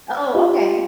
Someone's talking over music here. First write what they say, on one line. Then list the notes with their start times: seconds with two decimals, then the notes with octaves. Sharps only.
Oh, okay.
0.34 F4 G4